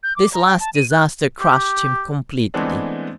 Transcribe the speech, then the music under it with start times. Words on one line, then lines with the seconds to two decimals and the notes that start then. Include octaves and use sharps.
This last disaster crushed him completely.
0.03 G6
0.16 D6
0.33 A#5
0.46 G5
0.60 A5
0.74 D#7
0.90 F#6
1.41 G4
2.54 E3 G#3 A3 B3 C4 D4